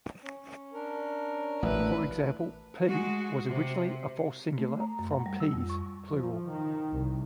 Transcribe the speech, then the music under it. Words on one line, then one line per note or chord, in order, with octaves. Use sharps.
For example, "pea" was originally a false singular from "pease" pl.
C#4
D4 A#4
A1 B4 E5
G#3 F#4
C3
A3
A#5
F#2
F#5
G3
E6
F2
C#6
F3
D#3
C2